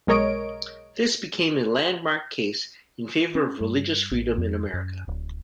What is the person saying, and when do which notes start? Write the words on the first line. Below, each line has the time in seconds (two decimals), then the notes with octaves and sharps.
This became a landmark case in favor of religious freedom in America.
0.07 B1 G#3 A#4 C#5 D#5 D7
3.35 C#4
3.61 G2
4.11 A1
4.38 F2
4.73 F#2
5.08 D1